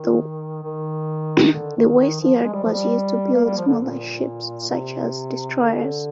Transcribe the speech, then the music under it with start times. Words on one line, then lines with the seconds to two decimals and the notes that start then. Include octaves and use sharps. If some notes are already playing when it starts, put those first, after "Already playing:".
The west yard was used to build smaller ships such as destroyers.
Already playing: D#3
0.63 D#3
1.53 D3
1.76 D#3
1.98 D#3
2.21 F3
2.43 G#3
2.54 G3
2.64 F3
2.73 G3
3.34 A#3
3.45 G3
3.57 F3
3.68 D3
3.80 A#2
4.70 C3
5.61 D3